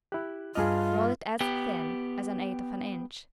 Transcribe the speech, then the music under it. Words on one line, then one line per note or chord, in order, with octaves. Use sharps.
Roll it as thin as an eighth of an inch.
E4 G4 F#6
G2 F4 G#4 D#5 F6
B3 G4